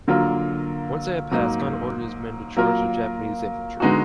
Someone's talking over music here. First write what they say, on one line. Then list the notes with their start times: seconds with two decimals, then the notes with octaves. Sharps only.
Once they had passed Khan ordered his men to charge the Japanese infantry.
0.08 D3 F#3 A#3 F4 A#4
1.31 G#2 F#3 A#3 D#4
2.57 F#3 A#3 F4 A#4
3.80 D3 G#3 B3 D#4 F#4